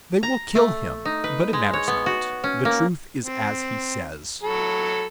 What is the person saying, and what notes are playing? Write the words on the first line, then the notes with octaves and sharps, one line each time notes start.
They will kill him, but it matters not: the truth is as he says!
A#5
A3
D#4
B4
G#3
C#5
B3
F#4
C#4
A#3
C4
F#3 A4 B5